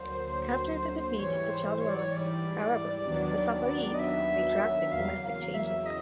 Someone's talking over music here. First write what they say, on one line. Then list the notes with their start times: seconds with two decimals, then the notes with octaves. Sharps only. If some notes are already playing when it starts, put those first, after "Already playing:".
After the defeat at Chaldiran, however, the Safavids made drastic domestic changes.
Already playing: D2 D3 F#3 A#3 C5
0.26 D2 D3 F#3 A#3
1.19 G#2 E3 G3 C#5
1.50 C5
1.81 C#5
1.90 D5
1.98 C#5
2.12 G#2 E3 G3 D5
3.05 D#2 D#3 F#3 B3 D4
3.94 D#5
3.99 D#2 D#3 F#3 B3 D4 E5
4.92 E2 C#3 F#3 A#3 F5
5.23 F5
5.54 E5
5.86 C#3 F#3 D#5